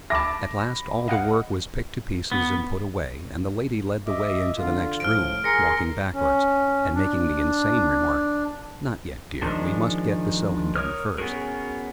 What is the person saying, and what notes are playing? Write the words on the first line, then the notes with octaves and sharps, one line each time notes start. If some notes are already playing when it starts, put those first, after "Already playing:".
At last all the work was picked to pieces and put away, and the lady led the way into the next room, walking backwards, and making the insane remark "Not yet, dear: we must get the sewing done first."
E5 A5 B5 D6 A#6
D#5 F5 F#5
B3
D#5 E5 D6
D3 F4
A2 F3 F6 D7
G#4 A#4 C6 A#6 C#7
C#4
D4
D#3 F3 G#3 D4
A#4 C#5 D#6 F6
B3 C#4 F#4 G#4 A#4